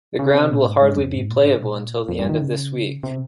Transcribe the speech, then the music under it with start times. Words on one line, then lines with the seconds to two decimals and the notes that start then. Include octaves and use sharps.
The ground will hardly be playable until the end of this week.
0.19 C#3
0.31 C#3
0.35 C3
0.51 A#2
0.66 G#2
0.82 G#2
0.92 G2
0.98 F2
1.14 G#2
1.29 A#2
1.46 G#2
1.56 C3
1.61 A#2
2.09 F2
2.19 G2
2.29 D#3
2.40 C#3
3.03 C3